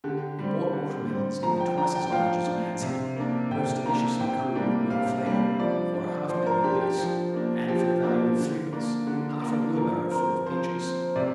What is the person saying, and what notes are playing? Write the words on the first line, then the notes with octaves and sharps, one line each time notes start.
We bought water-melons nearly twice as large as a man's head, most deliciously cool and well-flavoured, for a halfpenny apiece; and for the value of threepence, half a wheelbarrowful of peaches.
D3 G4
G3 C4
D3
G3 C4
F3 A#5
G5
D4 A#5
G5
G5
F3 F5
D4
C3
A#3 D4
C3 G5
A#3 D4 A#5
C3 G5
G3 A#3 D4
C3 F5
G3 A#3 D4
F3 D5
D4
F3 C5
A#4
D4 G4
G4
F3
A#3 D4
F3 G4
A#3 D4
D3
A#3 D4
D3
A#3 D4
F3 A#4
C4 A#4
F3 C5
C4
C3 D5